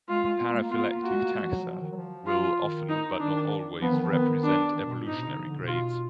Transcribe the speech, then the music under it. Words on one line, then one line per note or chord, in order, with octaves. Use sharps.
Paraphyletic taxa will often, but not always, represent evolutionary grades.
G#3 F4
G#3
B3
A#3
G#3
A#3
B3 F4
A#3
A#3 F#4
G#3
A#3
G#3
F3
F#3
F3
D#3
F#3
F3
F4
D#3
D#4
D#3 D4
F3 B3
D#3
F3
D#3 B3
D4
D#3
B2
A#2
G#2 D#4
B2
D3
F3
D3
B2
F4